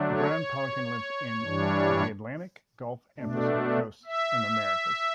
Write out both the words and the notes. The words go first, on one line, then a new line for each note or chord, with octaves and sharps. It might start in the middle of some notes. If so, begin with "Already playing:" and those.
The brown pelican lives on the Atlantic, Gulf and Pacific coasts in the Americas.
Already playing: D3 F#3 A3 D4
C#5
G2 E3 G3 D4
B2 A3 D4
E5